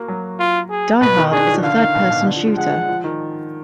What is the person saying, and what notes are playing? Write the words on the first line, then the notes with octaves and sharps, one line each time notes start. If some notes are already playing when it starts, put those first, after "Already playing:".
"Die Hard" is a third-person shooter.
Already playing: A#3 F#4
F#3
F4
G#4
B2 B4
D#3
D4 G#4
D4
F3
D3 F5
D#3
B2
B2
B2
D3
F3
F3
G#3 F#5
F3
D#3